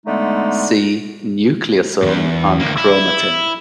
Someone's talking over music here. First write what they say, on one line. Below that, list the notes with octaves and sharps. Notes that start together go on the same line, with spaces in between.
See: nucleosome and chromatin.
D3 G#3 A3 B3 D#4
E2 G#2
D2 A#3
E4